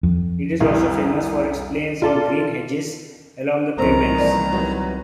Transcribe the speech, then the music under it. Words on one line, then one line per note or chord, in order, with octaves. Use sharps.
It is also famous for its planes and green hedges along the pavements.
F2
C2 E3
F4 A4 D5
C2 D#3 E3 C4 C5 A#5
F2 A#3 D5
F#3 G3 B3